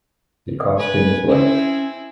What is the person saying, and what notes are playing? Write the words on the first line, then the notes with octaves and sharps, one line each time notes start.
It cost him his life.
B4 G#5
C4 C#4 E4 G#4